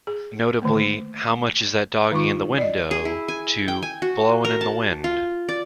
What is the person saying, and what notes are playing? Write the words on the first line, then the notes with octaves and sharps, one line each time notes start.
Notably "How much is that Doggy in the Window", to "Blowin' in the Wind".
G#4
D3 D#3 A3 A#3
D#3 G#3 D#4 F4 C#6
D5 D#5
G#4
E4
G#5
G5
G#5
F#4
A#4
A5
F4
D5